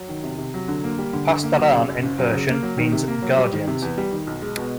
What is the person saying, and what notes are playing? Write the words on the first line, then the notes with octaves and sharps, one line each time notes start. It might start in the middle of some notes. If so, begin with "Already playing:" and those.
Pasdaran in Persian means "guardians".
Already playing: F#3
D#3
C3
C3
F#3
D3
A#3
G3
D3
D3
A#3
F#3
C#3
F#2
F#1
F#3
C#3
A#3
F#3
D#3
C3
A#3
F#3
G3
D#3
C3
E2
G3
D#3
B1
G#3
B2